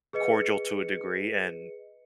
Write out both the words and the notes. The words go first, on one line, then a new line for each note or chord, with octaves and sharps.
cordial to a degree and
G#4 B4 D#5 C#7